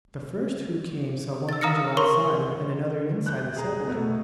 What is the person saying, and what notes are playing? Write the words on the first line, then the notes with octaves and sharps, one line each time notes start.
The first who came saw one angel outside and another inside the sepulchre.
E6 A6
F5 A#5 D#6 F6 A#6 C#7
A#4 C#5 C6 C#6
F#6 G6
G#4 A#5
B2 A3